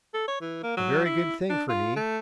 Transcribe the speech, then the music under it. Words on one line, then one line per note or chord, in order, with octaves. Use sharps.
A very good thing for me.
A4
C#5
E3
A#3
F#3
E4
D4
F4
A3